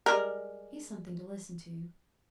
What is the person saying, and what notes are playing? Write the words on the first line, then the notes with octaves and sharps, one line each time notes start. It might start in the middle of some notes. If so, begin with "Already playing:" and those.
He's something to listen to.
G3 G#3 A#4